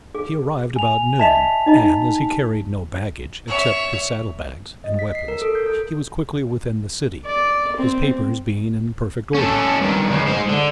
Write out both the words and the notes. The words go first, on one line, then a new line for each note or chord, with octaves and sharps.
He arrived about noon, and, as he carried no baggage except his saddle bags and weapons, he was quickly within the city, his papers being in perfect order.
G#4
G#5 F7
D#5 E5 A5 B6 F7
D#4 D#5 A#5
C#5 E5
D#5
B6
C7
A#4
A4
G6
A4
D5
C4
C#4 A4
G2 D#3
C#2 C#3
G#3 C5
D3